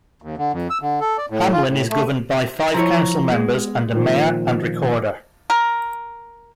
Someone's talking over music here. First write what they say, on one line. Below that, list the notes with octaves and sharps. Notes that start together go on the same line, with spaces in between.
Hamlin is governed by five council members and a mayor and recorder.
D#2
D3
F2
E6
D3
A4
D5
A2
F4
A2
A3
F3 E4 C#5 A#5
G#3 B3
A#2 D#3 F3
A#4